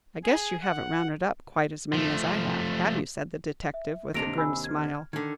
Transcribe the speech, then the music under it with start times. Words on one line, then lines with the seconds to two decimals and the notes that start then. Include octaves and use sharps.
"I guess you haven't rounded up quite as many as I have, have you?" said the detective, with a grim smile.
0.24 G#4
0.61 F#5
1.93 F3 A3
3.74 E5
4.14 D#2 C3 D4 A#6 D7 F7
4.38 G#5 B5 E6
4.64 F6 G#6
5.13 D3 D#3 G#6